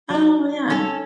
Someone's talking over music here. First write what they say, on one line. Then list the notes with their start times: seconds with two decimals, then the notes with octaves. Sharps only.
Oh, yeah.
0.10 F#3 D#4
0.70 C#4 A4